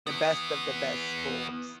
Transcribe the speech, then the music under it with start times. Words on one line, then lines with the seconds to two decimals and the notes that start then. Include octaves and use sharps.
The best of the best schools.
0.07 E3 B3